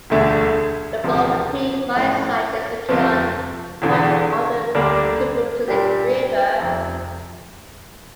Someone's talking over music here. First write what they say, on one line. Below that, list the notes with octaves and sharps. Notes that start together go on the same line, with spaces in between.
The Boulder Creek mine site is located on part of the Tubutulik River.
E1 D2 D3 A3
E1 D2 C3 F3
A#1 A2 F3 A3
G1 F2 C3 F3
E1 E2 D3
D2 D3 G3 A#3 D4
A#2 G3 D4 G4
F1 F2 C3